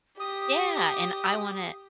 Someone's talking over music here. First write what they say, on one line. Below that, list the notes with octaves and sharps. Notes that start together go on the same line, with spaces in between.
Yeah, and I wanna ,uh
G4 D#6